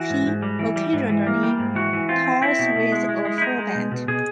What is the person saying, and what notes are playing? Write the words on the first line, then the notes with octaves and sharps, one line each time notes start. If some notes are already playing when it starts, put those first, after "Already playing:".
He occasionally tours with a full band.
Already playing: E3 F#4
G#2
G#2
G3
E3
G3
G#2
E3
A#3
G3
G#2
E3 F#4
E3
C4 F4
C4
C4 E4
B2
B2
G#3
G#3
G#3
E4
G#3 D#4
G#3
B2
B2
B2 G#4